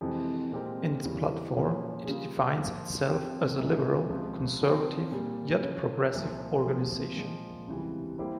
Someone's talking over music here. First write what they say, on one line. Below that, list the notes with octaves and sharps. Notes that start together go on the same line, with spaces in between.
In its platform, it defines itself as a liberal, conservative, yet progressive organization.
F2 C3 E3 G#3 C4
A#2 G#3 C4 G4 A#4
E2 C#3 E3 G3
A#2 F3 A#3 C#4
C#3 G3 A#3 F4 G#4
F3 A#3 F4
F3 C4 G4
C2 A#2 G#3
C#2 C3 F3
F3 C4 G4 C5
A#2 G3 A#3
C#3 F3 A#3 C#4
C2 A#2 F3
C3 F3 A#3
A#2 F3 G#3
C#2 C3 E3 G3
G3 A#3 E4 G4 C5